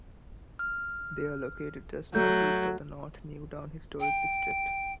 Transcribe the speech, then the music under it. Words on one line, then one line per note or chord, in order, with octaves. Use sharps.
They are located just northeast of the North New Town Historic District.
F6
F#3 A3 G6
G5